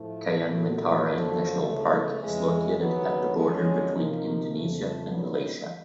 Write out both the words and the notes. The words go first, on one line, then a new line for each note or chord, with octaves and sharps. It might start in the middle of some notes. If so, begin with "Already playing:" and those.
Kayan Mentarang National Park is located at the border between Indonesia and Malaysia.
Already playing: A2 F3 A3
A#2 F#3 A3
F#2 D3 F3 A3
C#2 C#3 E3 A3
F2 C#3 E3 G#3
D#2 C#3 F#3 B3
F#2 D3 F3 G#3 C#4
C3 F3 A#3 D#4
F2 C#3 F3 A3
C2 A#2 F#3 B3 D#4